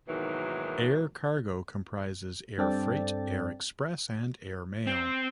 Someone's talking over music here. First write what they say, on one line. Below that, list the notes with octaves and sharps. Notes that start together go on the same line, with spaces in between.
Air cargo comprises air freight, air express and airmail.
G#2 B2 D#3 E3 F#3 A#3
G2 C4 A4 D5 G5 A6
C4